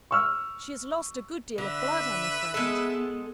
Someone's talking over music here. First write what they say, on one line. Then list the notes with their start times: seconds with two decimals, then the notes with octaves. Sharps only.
She has lost a good deal of blood, I'm afraid.'
0.11 C#6 E6 F6
1.58 D3 B4 E5
2.54 G#3 B3 A4